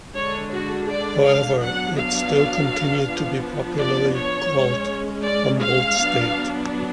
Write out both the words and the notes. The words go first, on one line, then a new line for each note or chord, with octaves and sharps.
However, it still continued to be popularly called Humboldt State.
D3 G#3 D4 C#5
F#4
D5
F5
F#3 B3 D4 F#5
F5
F3 B3 D4
D5
C#5
G#3 C#4
D5
F5
F#3 B3 D4